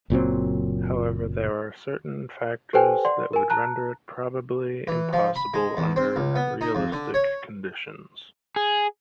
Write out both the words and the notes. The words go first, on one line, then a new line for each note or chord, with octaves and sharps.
However, there are certain factors that would render it probably impossible under realistic conditions.
F#1 A#2 F#3 C4
G4 A4 B4 C5 G5 G#5
D5 F#5 C6
A#4 G#5
A5 A#5 F#6
E3
F3
B5
G#3
E2
C4
C#2
B3
D#4
F2
D3
C#5
G#4